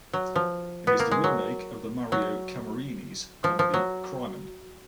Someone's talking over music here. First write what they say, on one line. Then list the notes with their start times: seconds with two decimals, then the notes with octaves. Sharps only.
It is the remake of the Mario Camerini's comedy "Crimen".
0.13 F#3
0.36 F3
0.87 B3
1.00 A#3
1.11 G#3
1.24 F#3
2.12 F#3
3.44 F3
3.59 F3
3.74 F#3